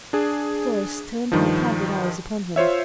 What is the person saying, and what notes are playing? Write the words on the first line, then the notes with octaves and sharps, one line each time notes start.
Doris turned her candid eyes upon him.
D4 G#4
G2 D#3 F3
F4 C5 C#5 E5